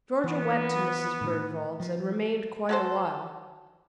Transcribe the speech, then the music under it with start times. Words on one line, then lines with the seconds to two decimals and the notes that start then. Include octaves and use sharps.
Georgia went to Mrs. Bergwald's, and remained quite a while.
0.24 E3 B3
1.21 A2 D#3
1.80 F3
2.69 F#3 A4 C5